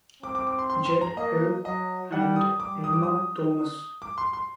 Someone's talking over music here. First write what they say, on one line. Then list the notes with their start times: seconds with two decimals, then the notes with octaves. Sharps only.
Z. Hill and Irma Thomas.
0.22 C4 D6
0.35 D6
0.47 D6
0.59 C6
0.70 C6
0.86 C6
1.01 A#5
1.17 A#3 D#5
1.65 F#3 D#5
2.12 G3 F#5
2.36 D#6
2.60 G3 D6
2.84 D#6
2.93 D6
3.03 D#6
4.02 D6
4.18 C6
4.33 C6